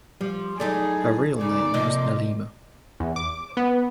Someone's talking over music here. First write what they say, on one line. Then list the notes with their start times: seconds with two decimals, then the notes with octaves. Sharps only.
Her real name was Nilima.
0.21 F3 G3
0.60 F#3 D#4 E4 G#4 A4 D5
1.41 C#3 D#4 D5
1.74 C3 F3 A#3 D#5
3.00 E2
3.16 D6
3.57 B3